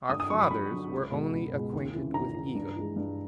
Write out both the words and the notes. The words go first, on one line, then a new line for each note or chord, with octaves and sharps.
Our fathers were only acquainted with egotism.
G2 D#6
D#6
D3 F#3 C#6
B5
G2 B5
D3 F#3
C#2
B2 G#3
C#2
B2 G#3
D#2
C#3 E3
D#2 A#5
C#3 E3
G2
E3 G#3
G2